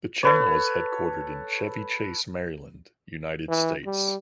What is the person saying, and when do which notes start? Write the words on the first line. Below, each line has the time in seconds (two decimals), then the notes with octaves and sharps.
The channel is headquartered in Chevy Chase, Maryland, United States.
0.23 A4 B4 C#5
3.48 E3
3.86 G3